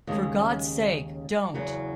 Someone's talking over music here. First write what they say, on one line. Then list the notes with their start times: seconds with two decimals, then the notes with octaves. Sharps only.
For God's sake, don't!
0.07 D#2 C#3 G#3 C#4 G#4
1.54 E2 C#3 F#3 C#4